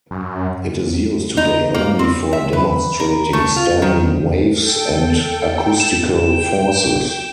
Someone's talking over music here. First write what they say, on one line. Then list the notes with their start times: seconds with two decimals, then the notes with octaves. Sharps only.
It is used today only for demonstrating standing waves and acoustical forces.
0.11 F#2
1.37 D#4
1.74 A#3
1.99 C4
2.33 E5
2.53 B4
3.00 A#4
3.33 A3
3.56 F4
3.82 D#3
4.58 A4 G5
5.80 E7
6.27 G5